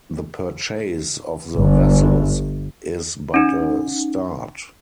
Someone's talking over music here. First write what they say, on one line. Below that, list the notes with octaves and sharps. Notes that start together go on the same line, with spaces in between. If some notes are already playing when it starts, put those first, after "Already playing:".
The purchase of the vessels is but a start.
G1
C#4 D#4